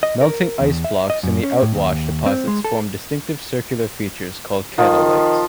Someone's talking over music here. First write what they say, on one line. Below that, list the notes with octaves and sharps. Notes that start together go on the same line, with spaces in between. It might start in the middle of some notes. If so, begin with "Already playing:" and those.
Melting ice blocks in the outwash deposits formed distinctive circular features called kettle lakes.
D#5
A#4
E2
E5
D#5
F#2
C#4
A2
D#2
C4
G#3
A4
D#3 F3